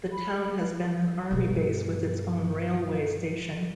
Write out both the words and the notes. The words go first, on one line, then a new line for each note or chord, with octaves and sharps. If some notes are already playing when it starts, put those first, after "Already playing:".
The town has been an army base with its own railway station.
B5
G2 B2